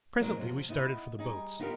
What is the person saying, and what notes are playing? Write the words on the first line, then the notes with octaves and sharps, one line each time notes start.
Presently we started for the boats.
A#2 D#3 F3 F#3 G#3 A#3
F2 A2 C3
B3 D#4 E4 A4 B4
G3 D#4 G#4
B3 D#4 F4 G4 A4 A#4